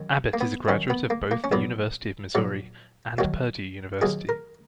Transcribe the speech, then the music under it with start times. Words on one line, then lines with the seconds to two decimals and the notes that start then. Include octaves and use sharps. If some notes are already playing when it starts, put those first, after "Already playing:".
Abbett is a graduate of both the University of Missouri and Purdue University.
Already playing: F#2 D#3 F#3
0.34 A#3
0.41 B3
0.68 F#2 D#3 F#3 C#4
0.90 B3
1.10 A#3
1.31 A#3
1.44 C#4
1.52 A#1 A#2 F#3 B3
2.35 A#1 A#2 F#3
3.18 D#2 D#3 F#3 F#4
4.01 D#2 D#3 F#3 G#4
4.29 A#4